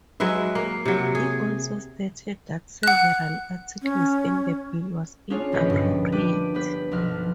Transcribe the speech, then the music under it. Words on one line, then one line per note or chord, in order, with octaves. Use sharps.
He also stated that several articles in the bill was inappropriate.
F#3 G#3 B4 E5
A#3
C3 F#3
G#4
F#5 F#6
C#4
C#4 D4 F4 G#4 C#5
D#1 A#1 G4 B4 D#5 C#7
G2 D3
D4 B4 G5 D6 D7 D#7
G3 B3 D4 G4 B4
B1 F3 F6 F#6